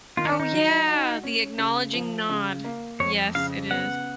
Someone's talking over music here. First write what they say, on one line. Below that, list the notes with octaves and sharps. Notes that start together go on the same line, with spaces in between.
Oh, yeah, the acknowledging nod. Yes, it is.
D#3 F4
D#4
C#4
D#4
F#3
F#4
C#4
C#3
F3
C#3
A#3
F2 C#5
C#3 F5
B3 F#5